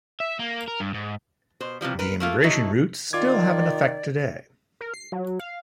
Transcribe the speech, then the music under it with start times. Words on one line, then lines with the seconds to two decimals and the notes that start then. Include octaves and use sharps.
The immigration routes still have an effect today.
0.20 E5
0.39 A#3
0.68 A#4
0.80 G2
0.94 G#2
1.60 B2 C5
1.81 C3 E3 F3 G3
1.99 A#4 B4
2.20 A3 A#3 F4
2.44 F#3 A3 D#4 E4
3.13 D#3 F4 D5 D6 G#6
4.81 A#4
4.94 C7
5.12 F#3
5.40 F5